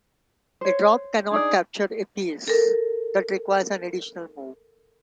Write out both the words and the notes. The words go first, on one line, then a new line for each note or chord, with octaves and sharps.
A drop cannot capture a piece; that requires an additional move.
C5 C#5
D4 D#4 G#4 D5
A4 A#4